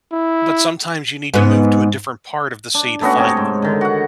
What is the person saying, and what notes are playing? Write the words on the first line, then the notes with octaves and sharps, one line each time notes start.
but sometimes you need to move to a different part of the sea to find them.
E4
G#2 B3
D4
A3 B3 C#4 F#4
C3 C#5 G5 A5
G#2
D3 D#3
F#4 F#5